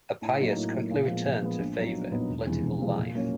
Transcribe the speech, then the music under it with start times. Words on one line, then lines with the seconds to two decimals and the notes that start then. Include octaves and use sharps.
Appius quickly returned the favour in political life.
0.22 A2
0.39 F#3 A#3 D#4
0.56 A2
0.74 F#3 A#3 D#4
0.91 A#2
1.07 F3 G#3 B3
1.25 A#2
1.42 F3 G#3 B3
1.59 A#1
1.77 A#2 F#3 B3 D#4
1.93 A#1
2.11 A#2 F#3 B3 D#4
2.29 E1
2.46 E2 C3 F3 G#3
2.62 E1
2.80 E2 C3 F3 G#3
2.98 A#2
3.15 F#3 A#3 C#4